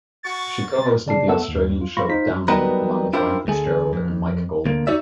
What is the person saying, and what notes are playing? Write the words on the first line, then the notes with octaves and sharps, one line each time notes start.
She co-hosted the Australian show "Download" along with Ryan Fitzgerald and Mike Goldman.
F#4 C#6 A6
C#3 D5 A5 C7
A3 B3 A4 F#5 A5 E6
D#2
F4
A3 F4 B5 C#6 A#6
D#4 F4 C5 B6
F#3 G3 B3 D#4 A#4 B4
D4 E4 F4 G4 A#4 C5
D2 A3 G#4
F2
D2 A#3
D#4 F#4 C#5 D5 E5